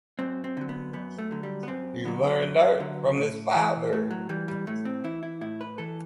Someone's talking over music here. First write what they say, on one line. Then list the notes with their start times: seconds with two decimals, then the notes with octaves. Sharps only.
He learned art from his father.
0.19 F#2 C4
0.44 C4
0.57 D3 F#3
0.69 B3
0.93 F#2 B3
1.18 A3
1.31 D3 F#3
1.43 G3
1.63 B3
1.68 F#2 C4
2.05 D3 F#3 B3
2.42 F#2
2.80 D3 F#3
3.18 A2
3.55 E3
3.93 A2 A3
4.11 F#3
4.29 E3 G3
4.48 G3
4.67 A2 A3
4.85 C4
5.04 E3 E4
5.23 E4
5.41 A2 E4
5.61 B4
5.78 E3 A4